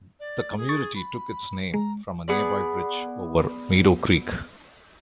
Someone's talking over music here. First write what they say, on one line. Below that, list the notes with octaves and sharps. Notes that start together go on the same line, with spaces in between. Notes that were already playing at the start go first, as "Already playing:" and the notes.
The community took its name from a nearby bridge over Meadow Creek.
D5
G#4
C#6 A6
B5
G#3 A#5
B3 G#4 D5